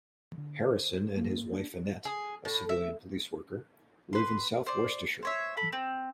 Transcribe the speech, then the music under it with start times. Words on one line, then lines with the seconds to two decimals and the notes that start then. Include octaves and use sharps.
Harrison and his wife Annette, a civilian police worker, live in south Worcestershire.
0.38 D3
0.61 C5
1.17 A#3
1.52 D4
2.05 G#4
2.45 A2
2.69 E5
4.13 B4 C6
4.66 C5 D5
5.23 C5 C#5 E5
5.57 A4 B5
5.72 C4